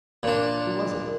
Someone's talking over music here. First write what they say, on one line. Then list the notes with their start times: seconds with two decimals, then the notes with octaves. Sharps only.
"Who was it?"
0.23 A#2 D4